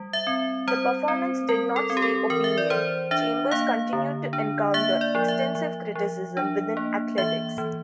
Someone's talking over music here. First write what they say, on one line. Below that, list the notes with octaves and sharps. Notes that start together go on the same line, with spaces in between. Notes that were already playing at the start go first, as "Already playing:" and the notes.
The performance did not sway opinion: Chambers continued to encounter extensive criticism within athletics.
Already playing: G3
E5
C4
G3 C5
C4
G3 A#4
A4
C4
G4
A4
E3 A#4
E5
D5
E3 C5
D4 E5
A#3 F5
D3
D4
A#3 E5
D5
F3
E5
F3
F3
D4
A#3
E3 E5
E3